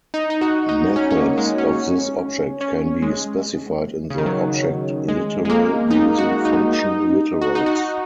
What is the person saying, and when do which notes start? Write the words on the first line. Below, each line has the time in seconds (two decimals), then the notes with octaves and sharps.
Methods of this object can be specified in the object literal using function literals.
0.14 D#4
0.30 D#4
0.41 F#4
0.69 D#4
0.96 C#4
1.10 C#4
1.17 A#3
1.37 G#3
1.58 C#4
2.61 C#4
3.02 G#3
4.10 C#3
4.18 D#3
4.26 F#3
5.08 G#3
5.45 G#3
5.49 A#3
5.90 D#4
6.18 F#4
6.45 D#4
6.73 D#4
7.41 F#4
7.55 D#4
7.66 F#4
7.76 D#4